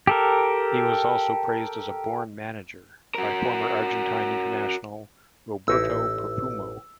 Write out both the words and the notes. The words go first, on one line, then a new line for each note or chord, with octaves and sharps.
He was also praised as a "born manager" by former Argentine international Roberto Perfumo.
G4 A4 A#4
F#4 A#4
A1 D#4 E4 E6